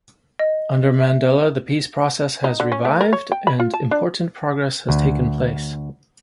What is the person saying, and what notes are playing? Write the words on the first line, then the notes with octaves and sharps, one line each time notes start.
Under Mandela the peace process has revived and important progress has taken place.
D#5
E5
D#4
D3
C#4
A3
A#4
C#5
G5
B5
F4
A5
D4
D2